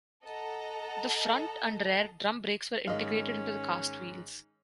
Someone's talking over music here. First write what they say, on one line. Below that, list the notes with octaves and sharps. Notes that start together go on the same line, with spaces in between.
The front and rear drum brakes were integrated into the cast wheels.
A4 D#5 F#5 A5 A#5
G#2 D#3 C#4 D#5 F5